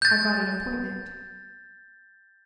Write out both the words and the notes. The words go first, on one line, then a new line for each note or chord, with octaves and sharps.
I've got an appointment.'
G6 A6